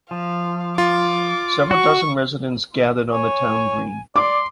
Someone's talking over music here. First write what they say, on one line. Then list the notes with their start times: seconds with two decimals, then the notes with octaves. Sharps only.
Several dozen residents gathered on the town green.
0.11 F3 F5
0.78 F4 D6
1.71 F#4 C#6
3.12 C#5 G#5
4.16 D5 C6 D6